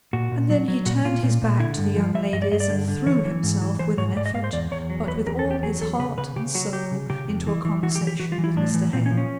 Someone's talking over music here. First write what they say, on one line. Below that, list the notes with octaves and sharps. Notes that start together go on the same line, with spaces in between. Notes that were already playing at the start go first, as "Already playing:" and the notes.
And then he turned his back to the young ladies, and threw himself, with an effort, but with all his heart and soul, into a conversation with Mr. Hale.
A#2 F#4
A#2
F#3
F#3
A#2 F#4
A#2 F4
A#2
A#2
D3 E4
G2
F3
F3 E5
G2 D#5
D5
G2 D#5
D5
D3
D3
E3 C#5
E3
G#2
E3
E3 C5
G#2 C#5
G#2 D5
D#5
G#2 F5
C5
E2 D5
E2 C#5
F#3
E2 B4
E2 A#4
A4
E2
G4
F#3 G#4
E2 A4
C#3 B4
C#3 B4
C#3 G4
F#3 F#4
F#3 G4
C#3
C#3 G4
F2
E3
E3
E3 F#4
G4
E3
G4
E3 F#4
F4
E3
E4
A2 D4
E3
A#2 C4
C#4
F3
C#4